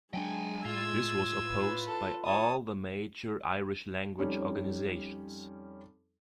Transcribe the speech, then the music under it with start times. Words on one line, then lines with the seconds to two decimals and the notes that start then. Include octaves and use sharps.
This was opposed by all the major Irish language organisations.
0.14 F#3 G#3 D4 G5 G#5
0.65 A2 F4 E6 G#6
1.48 B4
1.87 A4
2.25 C#5 A5 D#6
4.18 F2 G3 C#4 D#4